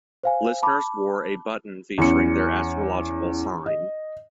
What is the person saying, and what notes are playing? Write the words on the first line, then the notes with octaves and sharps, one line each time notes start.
Listeners wore a button featuring their astrological sign.
C5 F5 G#5
A5 B5 D6
E2 C#4 C#7
D#5